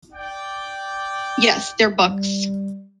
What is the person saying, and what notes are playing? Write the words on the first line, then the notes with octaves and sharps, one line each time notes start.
Yes, they're books.
D5 G5
G3